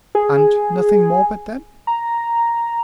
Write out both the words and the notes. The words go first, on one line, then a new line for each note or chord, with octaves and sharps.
"And nothing more but them?"
G#4
A#5